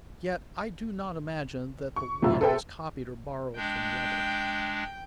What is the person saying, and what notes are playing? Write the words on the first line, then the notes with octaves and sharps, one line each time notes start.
Yet I do not imagine that the one was copied or borrowed from the other.
C#6
F#2 A2 C3 F4 E6
G#4 A4 B4 C5 E5 G5
G#3 D4 G5